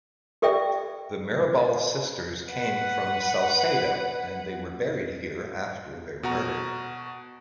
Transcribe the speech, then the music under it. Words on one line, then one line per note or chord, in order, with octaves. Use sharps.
The Mirabal sisters came from Salcedo and they were buried here after their murder.
G4 A4 D5 E5 G5
B4 F#5
B2 F#4 A#5